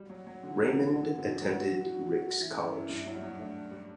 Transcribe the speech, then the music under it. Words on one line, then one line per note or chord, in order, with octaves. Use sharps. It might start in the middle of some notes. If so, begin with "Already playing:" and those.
Raymond attended Ricks College.
Already playing: G3 F#4
F#3
F#3
D3
E3
D3
E3
D3
E3
D3
E3 F#4
D3
E3
D3
E3
D3
F#3 F#4
E3 E4
F#2
G2
F#2
G2
F#3
G3
F#3
A3 D4
G3